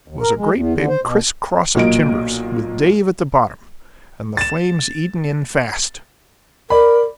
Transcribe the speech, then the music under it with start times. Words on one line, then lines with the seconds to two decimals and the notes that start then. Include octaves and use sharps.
It was a great big criss-cross of timbers, with Dave at the bottom, and the flames eating in fast.
0.08 D#2
0.21 A#4
0.37 G#3
0.54 E2
0.74 D3
0.88 C5
1.03 B2
1.75 B1 A#2 A#3 D#5 D7
4.37 A6 E7
6.70 A#4 D5 B5